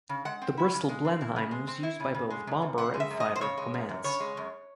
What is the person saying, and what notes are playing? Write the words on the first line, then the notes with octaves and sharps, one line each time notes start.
The Bristol Blenheim was used by both Bomber and Fighter Commands.
C#3
G#3 F#5
C4
E4
C#3
G#3
C4
E4
C#3
G#3
C4
E4
C#3
C#3
G#3
F#2
F#2
C#3 F#5
G#3
E5
F#2
D#5
F#2
C5
C#3 C#5
G#3
F#2
F#2
C#3 C#5
G#3
F#2